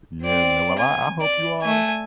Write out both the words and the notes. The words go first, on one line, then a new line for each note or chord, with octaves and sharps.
Yeah, man. Well, I I hope you all
C4 D5
G#5
D5
A3 G#5